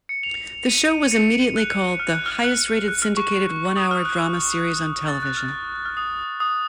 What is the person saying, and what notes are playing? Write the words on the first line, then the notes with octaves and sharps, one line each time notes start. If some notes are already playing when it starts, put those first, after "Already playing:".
The show was immediately called the "highest-rated syndicated one-hour drama series on television".
C#7
F7
D#7
C#7
F#6
F6
F#6
F6
F#6
F#6
F6
C#6
D#6
F6
F#6
A6
F#6
F6
F6
D#6
D#6